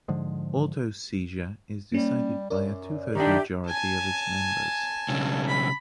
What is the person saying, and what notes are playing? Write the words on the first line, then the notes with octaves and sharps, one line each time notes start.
Auto-seizure is decided by a two-thirds majority of its members.
G#2 D3 F3 G#3
G3 A#3 C#4
F#2 A#4 C#5 D5
D#3 D4 D#4 G4 E5
G#5 A5
B1 C#3
B5